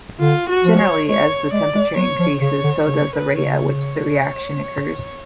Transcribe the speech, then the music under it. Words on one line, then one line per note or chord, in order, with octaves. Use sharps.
Generally, as the temperature increases so does the rate at which the reaction occurs.
D3 F4
F#4
F3
C#5
G#3 C#5
G#3 D5
G#3
F#3 C#5
F3
C#3 C#5
D3
C#3 C#5
B4
C#3
C#5